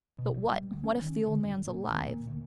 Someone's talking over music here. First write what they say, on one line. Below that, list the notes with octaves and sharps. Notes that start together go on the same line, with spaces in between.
But what, what if the old man's alive?
B2
A#1
G3
D2
C#4
D#3
D3
F#1
A#2
D#2
A#2
D2